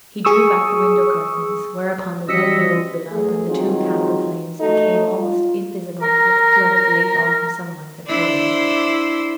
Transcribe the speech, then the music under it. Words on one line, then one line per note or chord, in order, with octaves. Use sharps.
He drew back the window-curtains, whereupon the red glow of the lamp and the two candle-flames became almost invisible with the flood of late autumn sunlight that poured in.
G#4 C#6 D#6 E6
E3 G3 C#4 F#4 D#5 E6 B6 C#7
E2 A3 G#4
D#3 F#3 G#3 C4 D#4 F4
A3 D#4 F#4 A4
F4
A#4 A#5
D4 E4 C5